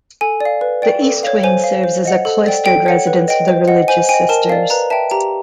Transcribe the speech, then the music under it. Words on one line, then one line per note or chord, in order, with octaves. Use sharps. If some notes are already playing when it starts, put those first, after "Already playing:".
The east wing serves as a cloistered residence for the religious sisters.
A4 G#5
D5 F5
B4
D5 G5
A4
C#5 F5
C5 G#5
F5
C5
D#5 F#5
A4
D5 G5
A4 G5
C#5 F#5
B4
D#5 G5
C5
D#5 F#5
C5 G#5
D#5 G5 G#5
A#4 A5
D5 F5
B4 A#5
E5 G5 A5
G4 A#5